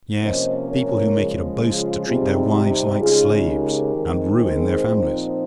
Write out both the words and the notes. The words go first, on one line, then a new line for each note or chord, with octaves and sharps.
Yes! people who make it a boast to treat their wives like slaves, and ruin their families.
C3 F3 A#3 C#4 C5 D#5
A#4 C#5
C#3 F3 G#3
F4 G#4
C3 G3 C4 D#4
C#3 G#3 D#4 F4 G#4
G4 A#4
D#3 G#3 C4
G#4 C5
A#2 F3 C4 D#4